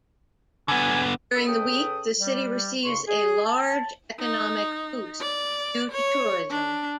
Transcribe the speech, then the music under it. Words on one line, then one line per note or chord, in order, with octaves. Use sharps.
During the week the city receives a large economic boost due to tourism.
D3 B3 G#5
F#2 D#5 B5 E6
C#3 A4 B4 G5 D#6
G3
E2 G2 C#3 C6 C#6
G#4
A5
D#4
D5
C#5
D4